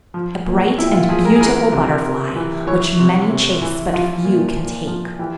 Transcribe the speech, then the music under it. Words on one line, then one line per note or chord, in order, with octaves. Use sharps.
A bright and beautiful butterfly, which many chase but few can take.
F3
A#2
A#2 E4
G4
F4
F3 G#4
A#4
G#4
E3 A#4
C3
C3
E3
E3 C#5
C3
C3
E3
F3 F4
A#2
A#2
F3
E3 G4